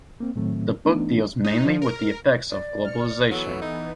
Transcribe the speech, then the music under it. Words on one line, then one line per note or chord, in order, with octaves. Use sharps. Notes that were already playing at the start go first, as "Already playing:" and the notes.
The book deals mainly with the effects of globalization.
A#3 C4
A2 D#3 F#3 A3 C4
E3 A3 B3 D4 D#4
D#4
F3
A#4
D5
F6 C#7
E3 F#3 B3 A4
D#4